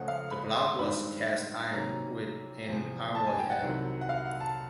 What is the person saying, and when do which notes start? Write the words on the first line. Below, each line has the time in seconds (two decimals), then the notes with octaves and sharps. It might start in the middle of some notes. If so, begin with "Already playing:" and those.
The block was cast iron, with an alloy head.
Already playing: C#2 C#3 F3 A3 C#4 F#5
0.08 F5
0.31 B5
0.56 C6
0.79 G2 D#3 G#3 C4 B5
1.73 C3 D#3 F#3 A#3 C#4 A#5
2.68 E2 C3 F3
3.15 A5
3.27 G#5
3.39 G5
3.50 F#5
3.62 C2 C3 D#3 F#3
4.01 F#5
4.09 F5
4.26 F#5
4.40 A5